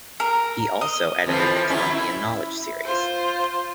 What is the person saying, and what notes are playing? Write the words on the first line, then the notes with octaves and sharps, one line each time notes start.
He also edited the Columbian Knowledge Series.
A#4
D#5
F2 E3 F3
F#3 C#4 E4
E4
F4 C5